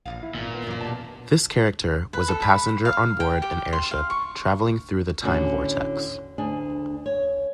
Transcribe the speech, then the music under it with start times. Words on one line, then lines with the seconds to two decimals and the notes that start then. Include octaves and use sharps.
This character was a passenger on board an airship travelling through the Time Vortex.
0.05 A#1 E2 G2 F5
0.23 E4
0.35 G#1 A#2
0.55 B3
0.67 F#2 E3 A#3
0.80 B2 G4 A5
2.13 B4
2.28 A4
2.42 B5
2.85 F5
3.20 G5
3.42 G4
3.73 C6
3.91 F5
4.10 C#6
5.23 A2 D3 C#4 F#4
6.38 D2 D4 G#4
7.06 C#5